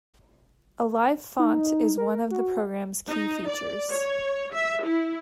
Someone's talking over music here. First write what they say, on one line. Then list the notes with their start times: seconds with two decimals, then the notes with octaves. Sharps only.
A 'LiveFont' is one of the program's key features.
1.39 D#4
1.98 A#4
2.31 F#4
3.06 D#4
3.48 D5
3.90 C#5
4.53 E5
4.84 E4